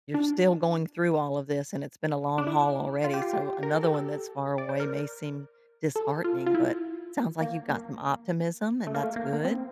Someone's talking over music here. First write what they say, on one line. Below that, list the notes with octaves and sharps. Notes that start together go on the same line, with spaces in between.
you're still going through all of this, and it's been a long haul already, so another one that's far away may seem disheartening, but sounds like you've got some optimism, and that's good.
D4
D4
E4
F4
G4
F4
G4
A#4
A4
G4
A4
D5
C5
A#4
A4
F4
F4
E4
A#3
A#3
A3
A#3
A3
A#3
A#3
C4